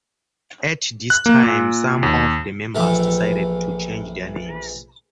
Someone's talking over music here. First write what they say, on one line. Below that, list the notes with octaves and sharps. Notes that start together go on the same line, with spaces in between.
At this time some of the members decided to change their names.
F#6
A#3
A#2
D#2
A#1 E3 A3 G4 A4